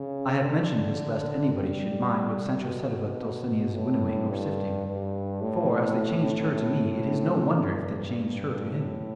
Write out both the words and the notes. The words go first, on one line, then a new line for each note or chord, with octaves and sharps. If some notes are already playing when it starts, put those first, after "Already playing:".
I have mentioned this lest anybody should mind what Sancho said about Dulcinea's winnowing or sifting; for, as they changed her to me, it is no wonder if they changed her to him.
Already playing: C#3
D3
G3
B2
A2
G2
G2
A2
A2
G2
A2